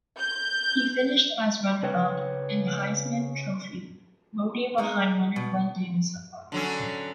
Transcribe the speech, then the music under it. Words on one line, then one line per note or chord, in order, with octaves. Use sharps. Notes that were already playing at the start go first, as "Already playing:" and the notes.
He finished as runner-up in Heisman Trophy voting behind winner Glenn Davis of Army.
G6
C#3 B4 C#5 G5
G#3 D#4
B2
D3 F#3 C#4